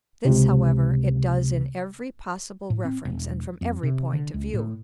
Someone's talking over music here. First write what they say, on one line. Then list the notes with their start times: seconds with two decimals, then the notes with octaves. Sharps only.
This, however, it does in every possible reference and from every point of view.
0.25 C#2 C3
2.70 A2
2.85 C4
3.05 E1
3.61 F2
3.83 C3
4.13 D3
4.34 C#2
4.53 A2